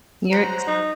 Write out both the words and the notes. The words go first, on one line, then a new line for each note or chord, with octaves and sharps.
You're ex
F#3 C5 A#5 F#6
D#4